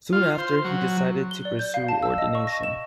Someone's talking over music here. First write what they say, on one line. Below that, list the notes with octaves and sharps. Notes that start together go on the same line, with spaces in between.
Soon after, he decided to pursue ordination.
F4
C5
F#3
G7
D5
G6
F5
A5
E6
D#5
C#6
A#6
E7